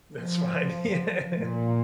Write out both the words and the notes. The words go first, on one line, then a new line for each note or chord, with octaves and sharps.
That's fine. Yeah.
F3
A#2